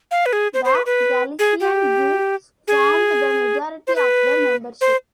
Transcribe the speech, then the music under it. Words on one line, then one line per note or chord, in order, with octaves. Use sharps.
The Galician youths formed the majority of the membership.
F5
B4
G#4
C5
C5
B4
B4
G#4
G4
G#4
C5
B4
C5